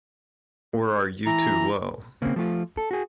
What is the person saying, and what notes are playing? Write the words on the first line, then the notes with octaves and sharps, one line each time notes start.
Or are you too low?
E3 A#5
C#3 A#3 C4
F3 A3 F4
A4
F#4 G#4